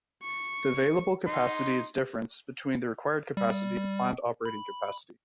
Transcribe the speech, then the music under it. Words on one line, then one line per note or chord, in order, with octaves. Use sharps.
The available capacity is difference between the required capacity and planned operating capacity.
C#6
D#4 C6
G3
B5